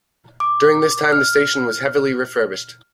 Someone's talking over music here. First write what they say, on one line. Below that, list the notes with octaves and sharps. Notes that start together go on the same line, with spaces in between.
During this time the station was heavily refurbished.
D6
F6